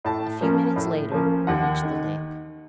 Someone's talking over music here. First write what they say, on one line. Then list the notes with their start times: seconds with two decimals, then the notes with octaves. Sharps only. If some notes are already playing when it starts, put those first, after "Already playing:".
A few minutes later we reached the lake.
0.05 A2 A5
0.41 F3 A#3 C#4
0.76 A2
1.12 F3 A#3 C#4
1.47 D#2 F#5
1.83 D#3